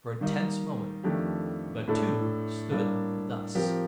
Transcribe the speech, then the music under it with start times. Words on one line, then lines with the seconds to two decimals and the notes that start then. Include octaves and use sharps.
For a tense moment the two stood thus.
0.21 D#3 G3 A#3 D#4
1.03 F2 D#3 A3 D4 G4
1.87 A2 A3 D4 A4
2.71 A2 G3 A#3 D4
3.55 F3 C4 G4 A#4